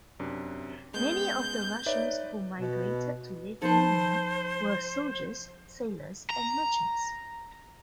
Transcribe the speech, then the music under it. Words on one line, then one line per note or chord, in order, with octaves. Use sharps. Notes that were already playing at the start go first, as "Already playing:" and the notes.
Many of the Russians who migrated to Lithuania were soldiers, sailors, and merchants.
F#2 C3 D4
G#3 B3 C#4 G6
D#4 B4 C#5 D5 E5
B2
F3 D#4 A4 B4 C5
A#5